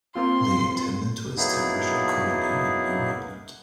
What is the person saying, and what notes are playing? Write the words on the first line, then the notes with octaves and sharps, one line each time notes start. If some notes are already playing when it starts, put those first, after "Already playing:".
They intended to establish a colony in New England.
A#3 C4 F4 C6
F#3 A#3 B3 D#4 E4 G#4